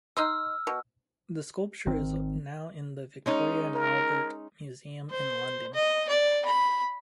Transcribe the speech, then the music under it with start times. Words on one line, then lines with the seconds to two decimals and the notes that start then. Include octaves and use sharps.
The sculpture is now in the Victoria and Albert Museum in London.
0.17 D#4 D#5 C6 E6 F6
0.67 B2
1.86 G#1 D#3 C4
3.26 G#3 C#4 D#4
3.75 A#4
5.10 C5
5.74 D#5
6.09 D5
6.46 B5